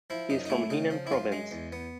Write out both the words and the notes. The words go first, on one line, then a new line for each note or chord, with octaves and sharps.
He is from Henan province.
F3 E4
F#2 D#4
D#4
A3 E4
C#3 D#4
F3
E4
F#2 F4
G#3
E2
B3